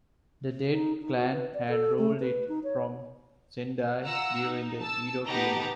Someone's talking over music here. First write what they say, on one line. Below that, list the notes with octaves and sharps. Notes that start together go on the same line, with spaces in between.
The Date clan had ruled it from Sendai during the Edo period.
D#4
D#4
F#4
B4
D5
A4
A3
B4
D#4
C#5
F4 F#5 A#5 E6
D#4
A5 E6
B3 D#4 G4 B4 A5 A#5